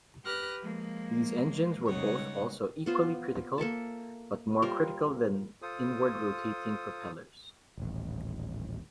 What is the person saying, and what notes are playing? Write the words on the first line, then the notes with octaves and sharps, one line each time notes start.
These engines were both also equally critical, but more critical than inward rotating propellers.
G4 B4 F6 F#6 A#6
F3 G#3 A#3
C#3 G3 G#3 D#4 C#5 F#5
B3 F4 C5
A#3 A4 E5 A5
G3 F4 A#4 C5
F4 A4 C5 D#6
D#1 A1